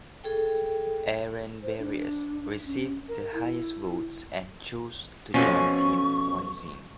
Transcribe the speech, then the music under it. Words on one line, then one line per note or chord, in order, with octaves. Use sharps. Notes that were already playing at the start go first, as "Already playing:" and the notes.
Aaron Barrios received the highest votes and chose to join Team Wisin.
G#4 A4 G5
C5
D4
C#4
A#4
E4
F2 B2 F3 C#4 C#6